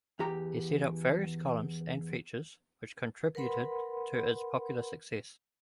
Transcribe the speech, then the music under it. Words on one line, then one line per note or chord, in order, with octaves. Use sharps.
He set up various columns and features, which contributed to its popular success.
E2 G4 A#5
A#4 B4 F#5 B5 C6